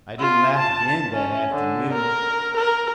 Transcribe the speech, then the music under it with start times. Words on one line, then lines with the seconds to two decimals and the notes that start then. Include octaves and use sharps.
I didn't laugh again that afternoon.
0.19 F4
0.59 A5
1.14 C#4
1.52 D3
1.93 A#4
2.57 A#4